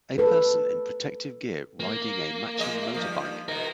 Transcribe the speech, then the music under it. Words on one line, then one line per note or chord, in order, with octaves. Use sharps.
A person in protective gear riding a matching motorbike.
A4 B4
A#3
F3 G#3 D#5
A3
G2 D#3 F3
B2 A#3 D#4 A#4